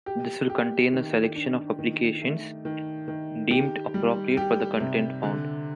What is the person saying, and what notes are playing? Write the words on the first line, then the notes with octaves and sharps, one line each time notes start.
This will contain a selection of applications deemed appropriate for the content found.
G4
G4
D#3
D4
D#3
A3
D#3
D#3
G4
G3
G4
C3
D3